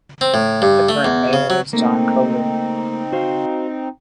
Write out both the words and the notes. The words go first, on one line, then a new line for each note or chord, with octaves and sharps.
The current mayor is John Coder.
C4
A2
G2
A3
E2
C#3
F#3
A3 A#3 C4 D#4
F#4 C5 F5